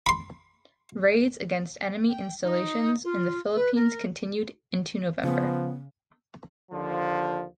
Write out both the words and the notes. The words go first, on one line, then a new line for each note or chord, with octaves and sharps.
Raids against enemy installations in the Philippines continued into November.
B5 C6
G5
D#4
F4
B4
A#4
C#3 F3 B3
D#2 D3 F3